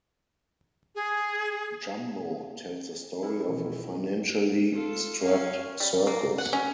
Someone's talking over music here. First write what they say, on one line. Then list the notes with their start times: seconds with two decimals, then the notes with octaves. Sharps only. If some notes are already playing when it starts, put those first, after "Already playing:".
"Jumbo" tells the story of a financially strapped circus.
0.95 G#4
3.23 E4 A4 A#4
3.48 B2 E3 F3
4.72 F4 A4
5.22 C#4 F5
5.80 G3
6.07 A#3
6.38 F#5
6.53 C#4